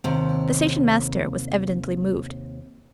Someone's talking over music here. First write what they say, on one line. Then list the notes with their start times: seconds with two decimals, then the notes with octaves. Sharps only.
The station-master was evidently moved.
0.04 D#2 C3